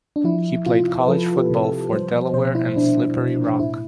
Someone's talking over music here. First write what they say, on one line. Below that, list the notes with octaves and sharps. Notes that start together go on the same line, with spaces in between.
He played college football for Delaware and Slippery Rock.
D4
F3 E4
C3 F4
B4
F3 A4
G4
C3
A4
G3 C5
B2 C5
E4
B2 D4
B2
A2 E4